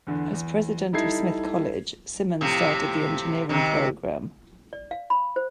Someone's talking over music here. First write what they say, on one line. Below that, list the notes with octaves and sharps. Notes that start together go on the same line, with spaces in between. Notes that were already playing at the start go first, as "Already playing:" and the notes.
As president of Smith College, Simmons started the engineering program.
E2 D3
E2
G3 D#4 E4 A4 G#6 C7
A2 C3 F3
C3 D#3
D5
F5
B5
C5